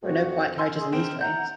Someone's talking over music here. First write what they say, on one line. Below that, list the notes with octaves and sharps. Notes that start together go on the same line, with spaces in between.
There are no quiet carriages on these trains.
F2 F#4
A#4 G#5 C6 E6
G#4 D#5
D3 C4 A#4 D7
E4 F#5 A#5 G6